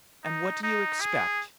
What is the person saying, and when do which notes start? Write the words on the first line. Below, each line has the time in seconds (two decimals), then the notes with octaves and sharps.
"And what do you expect?"
0.24 D#4
0.63 D#4
1.01 G#4